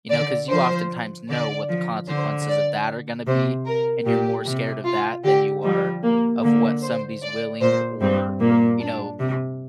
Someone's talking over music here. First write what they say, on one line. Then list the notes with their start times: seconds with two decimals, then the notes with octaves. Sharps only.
You know, 'cause you oftentimes know what the consequences of that are gonna be, and you're more scared of that than you are of what somebody's willing or, you know,
0.10 D3 D5
0.50 F3 C5
1.29 D3 D5
1.69 F3
2.08 D3 C5
2.48 D5
3.27 C3 C5
3.66 A#4
4.05 A#2 G4
4.45 C3
4.84 F4
5.24 D3 G4
5.64 F3 G3
6.03 A#3
6.43 D3 A#3
6.82 C5
7.22 D5
7.61 A#2 C5
8.01 G2 C4
8.41 A#2 A#3
8.80 D4
9.19 C3